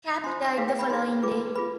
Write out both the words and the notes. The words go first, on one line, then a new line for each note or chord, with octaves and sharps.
Kapp died the following day.
D4 F4 C5 C6
D#4 G#4 B4 F5
G5
B5
D#4 G#4 B4 C6
F4 G#4 B4 D6
F4 G#4 B4 B5